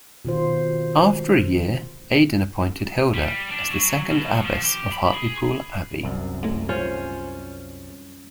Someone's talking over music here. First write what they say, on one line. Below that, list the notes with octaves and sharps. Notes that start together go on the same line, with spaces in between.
After a year Aidan appointed Hilda as the second Abbess of Hartlepool Abbey.
B2 D#3 F4 C5
G3
D4
F#3
B2
F3
G4
B5
G#4
C2 F#2
A2 G#3
C#4 F4 C5